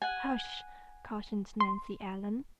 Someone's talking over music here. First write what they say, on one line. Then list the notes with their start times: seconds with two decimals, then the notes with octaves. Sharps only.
"Hush!" cautioned Nancy Ellen.
0.02 F#5 G#5
1.60 C6